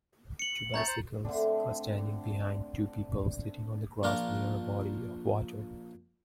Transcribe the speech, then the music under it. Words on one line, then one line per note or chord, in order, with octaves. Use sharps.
Two bicycles are standing behind two people sitting on the grass near a body of water.
C#7 F#7
F#2 A3 C#5 A#5 G6 A6
C5
D3 A3 C4 D4
A#1 D4 F4 A#4 F5 D6